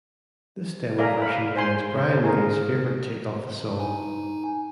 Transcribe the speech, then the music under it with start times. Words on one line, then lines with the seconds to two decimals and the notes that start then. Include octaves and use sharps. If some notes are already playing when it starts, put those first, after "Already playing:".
This demo version remains Brian May's favourite take of the song.
0.98 A#4 D5 E5 F5 G#5 A#5
1.22 F5 B5
1.56 C5 G#5 C6
1.95 C5
2.24 G#4 A#4
3.79 D#4 G#5